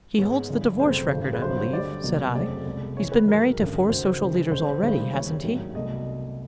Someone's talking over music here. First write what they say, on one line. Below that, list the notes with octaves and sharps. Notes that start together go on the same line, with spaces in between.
"He holds the divorce record I believe," said I. "He's been married to four social leaders already, hasn't he?"
G#2 D#3 G#3 B3 C#5
G1 G2 E3
F1 F2 C#3 F#3 B3 C5
G#1 G2 D3 F3
B4
G2 D3 F#3 C5
C#5
D2 D3 G3 D5
C2 C3 D#3 F#3 A#3
F2 C#3 F#3 A3 C4 D5
C2 B2 G#3
D2 C#3 E3 C#5
B4
G#2 D#3 F#3 A#4
G#1 F#2 D3
F#1 F#2 D#3 F#3 C5
F#1 F#2 D#3 G3
E1 E2 C#3 C5
G1 G2 D#3 G#3
D#2 C#3 E3 C#5
G#1 G2 D#3 F#3 A3
C2 B2 F#3 A3 D#5